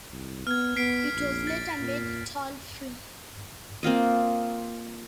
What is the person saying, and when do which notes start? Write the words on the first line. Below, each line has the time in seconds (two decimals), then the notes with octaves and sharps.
It was later made toll free.
0.11 C2
0.47 B3 F6 G#6
0.76 B3 B6 C7 D7
1.15 A#1
1.47 A6
1.80 A#2
3.83 A#3 C4 F4 D#5